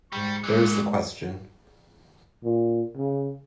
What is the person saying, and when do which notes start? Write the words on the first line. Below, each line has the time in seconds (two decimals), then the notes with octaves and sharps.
There is the question.
0.12 G#2 G3 C#6
0.44 A#2 E3 G#3
2.44 A#2
2.97 C#3